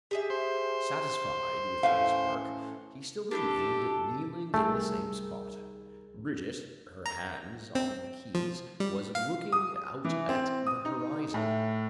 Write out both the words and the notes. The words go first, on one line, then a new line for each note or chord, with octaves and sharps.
Satisfied with his work, he still remained kneeling in the same spot; Brigitte, her hands on the keys, was looking out at the horizon.
G4 G#4 E5
C5
A2 E3 C#4 F5
D4 E4 G4 A4
C2 D#3 G3 A3 G#4 E6
A#5
C4
F3
G3
F5
D#6
E3
C4
D#6
D#4
A2